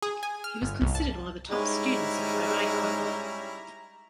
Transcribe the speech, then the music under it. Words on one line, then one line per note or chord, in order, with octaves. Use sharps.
He was considered one of the top students of Rabbi Kotler.
G#4
G#5
F6
G1
C2
A5
G#2 G3 G#3 C#4 E4 A#5